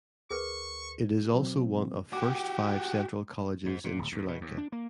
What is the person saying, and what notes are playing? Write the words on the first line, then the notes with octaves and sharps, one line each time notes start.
It is also one of First five Central Colleges in Sri Lanka.
D2 G#4 A#4 B4 C#6
B2 F#3 C4
F#4 G4 D6
G#2
A#2
D1
D#2
B2
D#2
D4
A#3